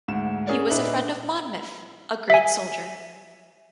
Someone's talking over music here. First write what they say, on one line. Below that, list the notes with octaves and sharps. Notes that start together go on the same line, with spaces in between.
He was a friend of Monmouth, a great soldier.
D2 G#2 E7
C#4 G#4 A#4 C#5 D5
A#2 D4 D#4 B4 E5 F#7
E5 G#5